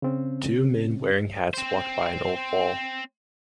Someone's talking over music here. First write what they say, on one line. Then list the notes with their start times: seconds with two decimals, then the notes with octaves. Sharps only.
Two men wearing hats walk by an old wall.
0.02 C#3 C4 C#4
1.54 C4 C5